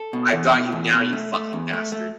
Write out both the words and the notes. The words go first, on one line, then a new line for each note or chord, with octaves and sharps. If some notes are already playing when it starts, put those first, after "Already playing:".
I’ve got you now, you fucking bastard.
Already playing: A4
B2
E2
B2
E2
B2
A3
A3
E2
A3
A3